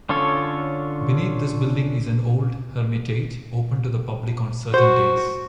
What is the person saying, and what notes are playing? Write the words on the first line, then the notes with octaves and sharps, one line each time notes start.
Beneath this building is an old hermitage, open to the public on certain days.
D3 C#4 F4 A4 C#5
F#4 C5